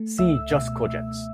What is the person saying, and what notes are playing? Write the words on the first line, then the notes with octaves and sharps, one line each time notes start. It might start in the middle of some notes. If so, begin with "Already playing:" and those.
See jus cogens.
Already playing: A3
C#2 E5 E6
B2